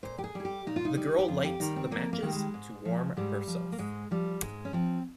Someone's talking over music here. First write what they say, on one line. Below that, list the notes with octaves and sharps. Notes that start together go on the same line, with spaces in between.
The girl lights the matches to warm herself.
A#2 C5
G4
G#4
G3 G#4
G4
A#2 D#4
F4
D#4
G3
G4
F2 F4
G4
D#3 G3 D#4
C4
F2 A#3
A#3
D#3 G3
G#3
G#2
F3
G#2 G3
F3
A#3
G#2 G#3
F3 G3
G#2 G#3
C#4
F3 C4